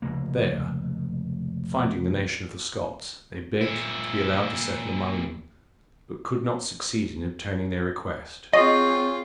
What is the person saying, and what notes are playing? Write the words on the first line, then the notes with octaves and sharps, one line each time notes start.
There, finding the nation of the Scots, they begged to be allowed to settle among them, but could not succeed in obtaining their request.
F1 C#2 C#3 A#3
A#2 E4
C4 F4 G#4 C#5 D#5 C#6